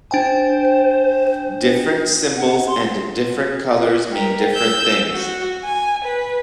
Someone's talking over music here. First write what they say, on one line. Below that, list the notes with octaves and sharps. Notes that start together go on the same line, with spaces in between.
Different symbols and different colours mean different things.
D4 C5 G5 G#5
F#5
C6
G4 A#4
E6 G6
F#4
G#5
B4